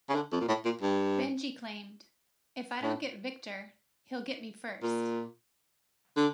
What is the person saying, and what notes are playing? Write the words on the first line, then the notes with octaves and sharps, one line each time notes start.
Benji claimed "If I don't get Victor he'll get me first".
C#3
D3
F2
A#2
A2
A#2
G2
A2
A#2
D3